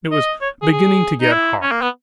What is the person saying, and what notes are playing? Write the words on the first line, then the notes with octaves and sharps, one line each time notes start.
It was beginning to get hot.
D#5
C#5
G#4
G#4
D#4
E4
C#4
A#3
B3